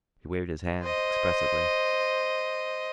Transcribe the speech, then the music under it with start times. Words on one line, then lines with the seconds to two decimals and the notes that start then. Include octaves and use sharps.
He waved his hand expressively.
0.83 C5 D#5